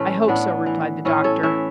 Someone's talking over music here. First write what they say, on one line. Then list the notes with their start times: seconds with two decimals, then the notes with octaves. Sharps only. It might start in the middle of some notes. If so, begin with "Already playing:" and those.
"I hope so," replied the doctor.
Already playing: A2 E3 A3 C#4
0.28 A2 B3 D4
0.66 E3
1.05 A2 C#4 E4
1.24 A4 C#5
1.43 E3 C#5 E5